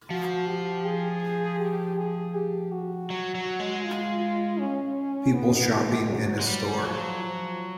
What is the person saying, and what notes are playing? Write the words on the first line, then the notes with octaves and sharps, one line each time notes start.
People shopping in a store.
F3 F#4
G4
G#4
G4
G#4
G4
F#4
F#3
F#3
G#3
F4
C#4
B3
G#3
F#3
G#3
G3
F3 F#3
F3